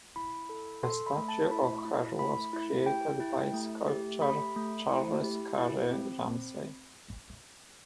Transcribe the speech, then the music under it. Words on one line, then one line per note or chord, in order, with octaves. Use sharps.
A statue of her was created by sculptor Charles Cary Rumsey.
E4 B5
A4
A4 C6
B5
A3
A5
E4 B5
E4
A3 B5
E4
G4 G5
E4
A3
G4
A3 B5
A3
E4
G4
E4
C4
C4